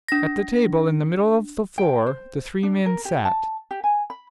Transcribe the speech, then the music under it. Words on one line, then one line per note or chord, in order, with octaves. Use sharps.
At the table in the middle of the floor the three men sat.
D4 A#6
G5
C5
D4
A#4
G4
A5
G4
G#5
B5